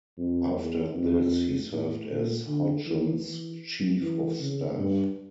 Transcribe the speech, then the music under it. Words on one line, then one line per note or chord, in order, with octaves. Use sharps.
After this, he served as Hodgson's chief of staff.
F2
E2
F2
A2
A#2
D3
E3
E3
E3
C#3
G2